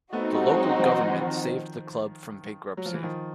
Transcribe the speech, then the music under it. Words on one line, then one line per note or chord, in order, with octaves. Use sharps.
The local government saved the club from bankruptcy.
A3 B3 C4 D#4 F#4
G3 A3
F#3 G#3
E3 F#3
F3
E3
D#3 F3
F#3
F3
E3
D#3 F3